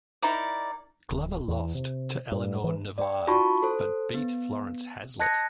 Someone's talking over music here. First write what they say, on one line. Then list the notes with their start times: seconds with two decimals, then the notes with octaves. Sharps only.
Glover lost to Elinor Nevile but beat Florence Hezlet.
0.22 D#4 E4 A#4 D5
1.10 D1
1.48 E2
1.75 C3
2.32 G2
2.64 E3
2.98 D5 G5
3.27 D#4 F4 F#4 A5 B5 C#6
3.63 A4 C5
4.14 B3
5.19 D#5 A5 F#6 G#6 A#6 C#7